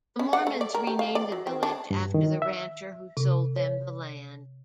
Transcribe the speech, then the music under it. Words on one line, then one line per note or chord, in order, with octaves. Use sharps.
The Mormons renamed the village after the rancher who sold them the land.
C#4
F#5
A3
D5
A#4
G4
F5
D5
F#3
C4
D4
G2
D#3
E5
C3
C#5